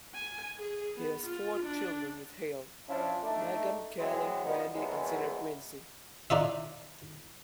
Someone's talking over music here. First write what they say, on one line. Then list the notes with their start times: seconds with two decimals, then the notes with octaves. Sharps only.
He has four children with Hale: Meghan, Kelly, Randy, and singer Quincy.
0.14 G#5
0.59 G#4
0.97 B3
1.26 F4
1.63 D4
2.88 F3 C#4 D4 E4 F4
3.23 A3 D4 D#4
3.97 E3 F#3 G#3 B3 C4
4.43 G2 G3 A#3 B3 D#4 F4
4.73 A#1 E2 B2 F#3 G#3
6.30 D4 D#4 F4 E5